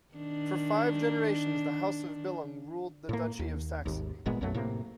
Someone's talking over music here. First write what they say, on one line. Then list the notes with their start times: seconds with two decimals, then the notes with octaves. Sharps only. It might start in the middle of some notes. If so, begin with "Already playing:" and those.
For five generations, the House of Billung ruled the Duchy of Saxony.
0.14 D#3 D4
3.09 A2 A#3
3.39 D#2
3.86 G#1 D#2
4.26 G1 A#2 G#3 B3
4.41 B1 F#2 F#3 A3
4.54 A2 C3 A#3